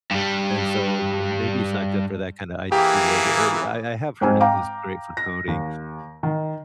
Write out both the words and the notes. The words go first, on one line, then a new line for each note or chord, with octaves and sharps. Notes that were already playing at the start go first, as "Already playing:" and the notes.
and so maybe it's not good for that kind of IT work. It I I have heard it is great for coding,
G2 G3
E3 A#3 G4 G#4
G#2 C4 G#5
F5 G5 A#5 D6
A#6
D#2
D#3